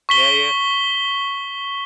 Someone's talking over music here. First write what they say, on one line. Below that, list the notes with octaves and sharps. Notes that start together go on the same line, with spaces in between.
Yeah, yeah.
C#6 B6 G7